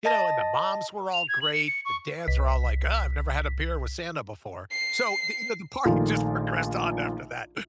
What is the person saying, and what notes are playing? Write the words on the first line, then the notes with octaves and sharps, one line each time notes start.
You know, and the moms were all great, the dads are all like, "Oh, I've never had a beer with Santa before." So, the, you know, the party just progressed on after that,
D#5 A5 A#6
F7
G#6
F#7
C#7
C#7
C#6
C2 B6
C7
A#1 D#3 A3 F4